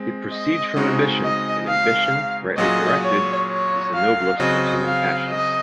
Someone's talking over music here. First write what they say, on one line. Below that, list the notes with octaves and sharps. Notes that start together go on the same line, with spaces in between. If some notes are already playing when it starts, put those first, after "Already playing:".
It proceeds from ambition; and ambition, rightly directed, is the noblest of human passions.
Already playing: G#3 C4
D#5
C#3 G#3 C4 D#4 F#4
D#5
F5
A#2 F#3 C#4 F4 G#4 D#5
C#5
C#5
F5
C#3 F#3 C4 F#4 D#5
F5
D#5